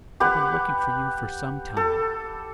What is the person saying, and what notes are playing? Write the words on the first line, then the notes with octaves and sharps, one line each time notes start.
I've been looking for you for some time.
G4 B4 F#5
A4